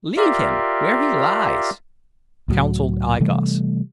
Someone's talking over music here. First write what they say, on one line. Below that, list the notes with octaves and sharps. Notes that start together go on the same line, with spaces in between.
"Leave him where he lies," counseled I-Gos.
F4 G4 A#4 D5 E5 F5
C#2 A2 F#3
C3 E3 G3 A3